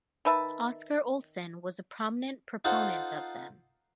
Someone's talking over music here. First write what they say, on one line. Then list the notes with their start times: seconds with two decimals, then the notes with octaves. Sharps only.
Oscar Olsson was a prominent proponent of them.
0.25 D#3 B4 E5 A5
2.65 D#4 F4 A4 C5 F#5